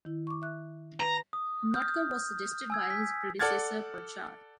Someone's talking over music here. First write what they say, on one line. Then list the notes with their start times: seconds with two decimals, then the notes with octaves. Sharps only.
Notker was suggested by his predecessor Purchart.
0.05 D#3 E4
0.27 C#6 D6
0.42 E5 F#6
1.00 B4 A#5
1.33 D#6
1.74 D#6 F6 G6
2.70 G#5 E6 G#6
2.90 B6
3.39 A4 D5 F#5 F6 G#6 A6